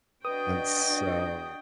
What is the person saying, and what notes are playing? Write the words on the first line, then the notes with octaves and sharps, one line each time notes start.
And so,
D4 F#4 B4 D#5 G5 D#6